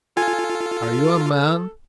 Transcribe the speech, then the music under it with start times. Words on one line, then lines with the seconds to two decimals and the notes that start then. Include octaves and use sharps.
Are you a man?
0.17 F4 A4 G#5